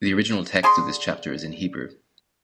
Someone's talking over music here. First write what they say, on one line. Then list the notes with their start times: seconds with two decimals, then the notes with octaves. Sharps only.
The original text of this chapter is in Hebrew.
0.63 D3 G#4 C6